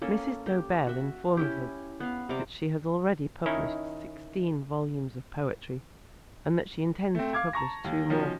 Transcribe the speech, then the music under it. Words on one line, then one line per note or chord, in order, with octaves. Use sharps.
Mrs. Dobell informs us that she has already published sixteen volumes of poetry and that she intends to publish two more.
A#3 C#4 A4
G4
F#4 E5
C#4 E4 G4
B3 F5
C3 G3 A#5 D6
D#3 C#4 D#4 E4
A3 C4
F5 D6 G#6
A5 A#5 C#6 A#6
D#2
B2 D#3 F3 C#4